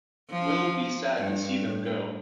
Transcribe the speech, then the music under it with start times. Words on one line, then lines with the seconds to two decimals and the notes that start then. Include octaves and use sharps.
We'll be sad to see them go!
0.30 F3
1.17 G2
1.59 A2